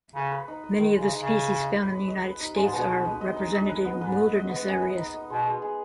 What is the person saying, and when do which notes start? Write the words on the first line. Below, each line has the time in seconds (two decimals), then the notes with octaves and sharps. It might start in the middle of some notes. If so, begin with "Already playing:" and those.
Many of the species found in the United States are represented in wilderness areas.
0.15 C#3 B4
0.31 B4
0.48 D#4
0.64 D#5
0.80 D#3 D#5
0.96 G#3
1.01 C#3
1.12 D#4
1.22 C#3
1.28 D#4
1.44 B4
1.60 D#5
1.76 B4
1.92 B4
2.08 D#5
2.24 B4
2.40 D#4
2.55 F#2 G#3
2.64 G#2
2.73 B2 B3
2.89 B4
3.05 D#5
3.21 D#5
3.36 D#4
3.52 D#5
3.69 B4
3.85 B3
4.01 G#2 B4
4.17 D#5
4.34 D#5
4.50 B3
4.65 F#2 D#5
4.82 B4
4.97 D#4
5.14 D#5
5.30 B2 G#3
5.46 G#3
5.62 G#4